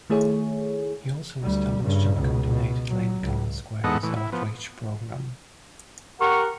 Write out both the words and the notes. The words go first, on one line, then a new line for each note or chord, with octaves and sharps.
He also established and coordinated Lincoln Square's outreach program.
D#3 A3 E4 G#4 C#5
D2 G3
G2 C#3
C#2 B2
B2
F#3
C#2
E2 G#2 B3 A4 D#5 F#5
A2 E3
E4
F3 B3
G4 A#4 F#5 C#6